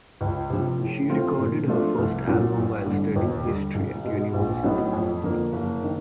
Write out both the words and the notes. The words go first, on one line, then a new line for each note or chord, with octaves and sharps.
She recorded her first album while studying history at university.
C#2
C3 F3
A2
F3 A3 C4 F4
A#2
F3 A3 D4 F4
C2
A#2 F#3
A1
G2 D3
D#2
D3 G3
B1
B2 G#3
A#1
A2 F#3 B3 D#4
F2
D3 F3 A#3 D4
F#1
D#3